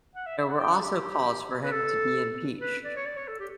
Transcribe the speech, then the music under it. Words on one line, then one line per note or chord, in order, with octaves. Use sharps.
There were also calls for him to be impeached.
F#5
E5
E5
F#5
G5
F#5
A4
G4
B4
A4
B4
D5
C#5
D5
C#5
A4
G4